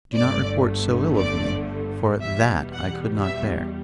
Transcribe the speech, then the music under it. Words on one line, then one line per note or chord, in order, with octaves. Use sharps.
Do not report so ill of me, for THAT I could not bear.
G1 G2 D3 A3 D5
D5
E2 B2 G3 E5
F#5
E5